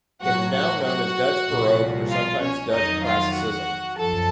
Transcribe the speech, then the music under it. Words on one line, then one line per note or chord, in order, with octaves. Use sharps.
It is now known as Dutch Baroque or sometimes Dutch Classicism.
A2 F#3 F#4 F#5
F#4 F#5
F#4 F#5
C2 A#2 F3
F4 F5
C#4 C#5
F2 D#3 F#3 D#4 D#5
F4 F5
F#4 F#5
F#2 F3 A4 A5